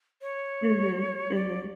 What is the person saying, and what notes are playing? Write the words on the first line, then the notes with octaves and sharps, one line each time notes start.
Mhm, mhm.
C#5
D5